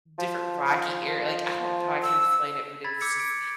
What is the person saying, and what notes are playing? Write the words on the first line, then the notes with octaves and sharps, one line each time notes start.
different rocky ar like, I don't know how I can explain it, but it was just
F3
E6
B5 G#6 A6 B6
D6 E6 G6 G#6 C#7
G#6 D7